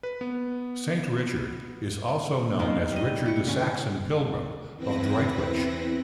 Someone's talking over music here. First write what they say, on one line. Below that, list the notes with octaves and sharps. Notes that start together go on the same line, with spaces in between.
Saint Richard is also known as Richard the Saxon Pilgrim, of Droitwich.
B4
B3
B3 D#4 A#4 C5
G3 D#5
E4 C#6
D3 C#4
E2 C4 E4 B4 A#6